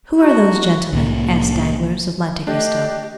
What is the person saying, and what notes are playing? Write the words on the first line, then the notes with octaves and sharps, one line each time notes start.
"Who are those gentlemen?" asked Danglars of Monte Cristo.
D4 D#4 F#4
C2 A2 A#3
A3 D4 G4 D#5